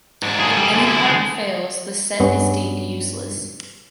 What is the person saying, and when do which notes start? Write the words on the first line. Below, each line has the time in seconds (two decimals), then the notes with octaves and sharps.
If any part fails, the set is deemed useless.
0.23 G#2 D4
0.40 G#4 A4
0.57 G3 G4
0.72 F#2 D3
0.87 E4
1.03 G#3
2.20 G2 B3 C#4